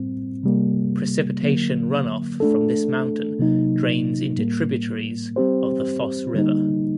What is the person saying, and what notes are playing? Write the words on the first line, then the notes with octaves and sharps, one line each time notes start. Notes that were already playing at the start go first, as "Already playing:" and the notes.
Precipitation runoff from this mountain drains into tributaries of the Foss River.
Already playing: A2 G3 C4
C3 G3 A#3
D3 F#3 A#3
A3 D4 A4
C3 F#3 A#3 D#4
A2 G3 A#3
G3 C4 G4 C5
D3 G3 A#3 D#4